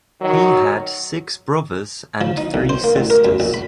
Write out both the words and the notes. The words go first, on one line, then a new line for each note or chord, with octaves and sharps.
He had six brothers and three sisters.
D#3 F#3
F3
D#4
B1
C5
A#3
A1
A#4
F#2
A#1
B5